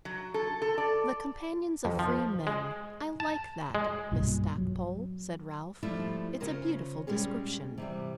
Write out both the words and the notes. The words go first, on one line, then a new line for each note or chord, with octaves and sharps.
"The companions of freemen--I like that, Miss Stackpole," said Ralph. "It's a beautiful description."
F#3
A4
A4
D5
F2
F3
G#3
A5
G#3
B1 G2 A#2
F#3
F3 G3 A3 E4 F4
C#3 C#4 F4 A#4 C5
A#2 G3 G#3 C#4 G#4
C3 E3 G3